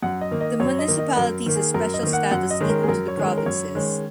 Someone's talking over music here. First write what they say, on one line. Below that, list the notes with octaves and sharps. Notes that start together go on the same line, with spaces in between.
The municipalities have special status equal to the provinces.
F#2 F#5
D#5
D#3 A#3
D#5
F#2 C#5
D#5
D#3 A#3
D#5
F#2 A#4
D#3 A#3
G#4
F#2 A#4
D#5
D#3 A#3
F#5
F#2 F#5
D#5
D#3 G#3 C#4
A#4
G#4
F#2 A#4
C#5
D#3 G#3 C#4
A#4
A#4
F#2 C#5
D#3 G#3 C#4